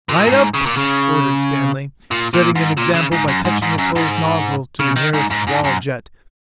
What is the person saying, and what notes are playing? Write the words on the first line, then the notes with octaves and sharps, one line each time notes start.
"Light up!" ordered Stanley, setting an example by touching his hose nozzle to the nearest wall jet.
A#2
F#2
G#2
C#3
A#2
C#3
A#2
A#2
G#2
A#2
C#3
G#2
F#2
G#2
G#2
F#2
G#2
C#3
D#3
G#2
G#2
G#2
F#2